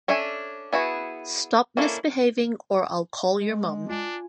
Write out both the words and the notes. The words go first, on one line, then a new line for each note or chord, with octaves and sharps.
Stop misbehaving or I'll call your mom.
C#4 D4 A4 E5 G#5
B3 E4 F#4 G#4
A#3 C#4 D4 E4 A4
G#3
D4 F4 G#5